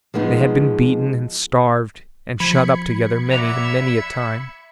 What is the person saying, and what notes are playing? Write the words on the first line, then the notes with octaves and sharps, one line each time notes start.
They had been beaten, and starved, and shut up together, many and many a time.
F3 G#3 B3 D#4
F3 B5 G#6 C#7
D5 E5 F#5 A#5